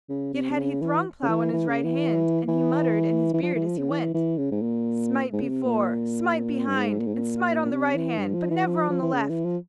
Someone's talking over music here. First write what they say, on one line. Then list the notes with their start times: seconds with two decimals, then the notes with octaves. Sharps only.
Yet had he Throng-plough in his right hand, and he muttered in his beard as he went, "Smite before! smite behind! and smite on the right hand! but never on the left!"
0.09 C#3
0.34 C3
0.50 C3
0.57 C#3
0.81 E3
1.23 C#3
1.29 E3
1.52 E3
1.68 C#3
1.84 E3
2.48 E3
3.34 E3
3.43 F3
3.55 E3
3.67 F3
3.78 C#3
3.90 E3
4.14 E3
4.38 C#3
4.52 G#2
4.61 A#2
5.33 G#2
5.41 C#3
5.49 C3
5.65 A#2
6.68 G2
6.76 G#2
6.99 A#2
7.07 G#2
7.14 A#2
7.65 A#2
7.72 C3
7.95 E3
8.18 G2
8.34 F3
8.51 E3
8.67 F3
8.90 F3
9.02 E3
9.13 C#3
9.30 E3
9.45 F3